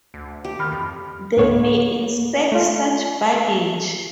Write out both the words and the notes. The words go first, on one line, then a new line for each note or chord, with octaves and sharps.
They may inspect such baggage.
D2
G4
D#3 B5 F6
F2
D2 A2 C#5
A3 F4